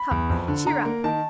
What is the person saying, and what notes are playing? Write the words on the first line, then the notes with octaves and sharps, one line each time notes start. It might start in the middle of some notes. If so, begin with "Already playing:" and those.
Come, cheer up.
Already playing: B5
E2
F2
D3
D3 A#5
A#3
D#3 A5